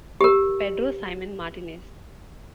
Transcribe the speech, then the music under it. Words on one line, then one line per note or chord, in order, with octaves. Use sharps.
Pedro Simon Martinez.
G4 A#4